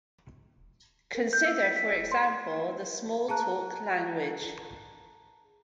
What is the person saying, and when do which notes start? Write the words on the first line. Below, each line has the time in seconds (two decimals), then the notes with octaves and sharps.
Consider for example the Smalltalk language.
1.15 A#4
1.33 G6
1.45 E6
1.62 B6
1.76 B6
2.12 C6
3.28 G#4 A5 A#5 F#6